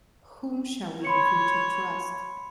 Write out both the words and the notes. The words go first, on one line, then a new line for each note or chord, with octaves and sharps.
Whom shall we in future trust?
C#5 B5 C6 C#7